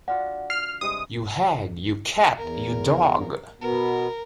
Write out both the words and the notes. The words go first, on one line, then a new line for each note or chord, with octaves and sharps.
You hag, you cat, you dog!
D4 F4 F#4 F#5
F6 C7
G2 C3 G#3 D#6
E2 A#4
B2 B3 A#4